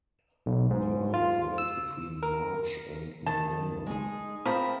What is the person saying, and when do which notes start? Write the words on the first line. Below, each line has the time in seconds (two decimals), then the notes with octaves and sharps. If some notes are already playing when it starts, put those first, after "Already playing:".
The line operates between March and November.
0.46 B1
0.70 G#2
1.14 F4
1.58 E6
2.23 A#4
3.26 D#3 A5
3.86 G#3 D#4 G#4
4.46 F3 C4 A#4 C5 E5 B5